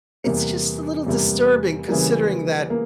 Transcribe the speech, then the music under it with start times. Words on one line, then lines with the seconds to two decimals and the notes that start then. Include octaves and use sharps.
it's just a little disturbing considering that
0.24 E2 C3 G3 A#3
1.07 E2 C3 G3 A#3
1.88 C#3 E3 G3 A#3
2.70 A#3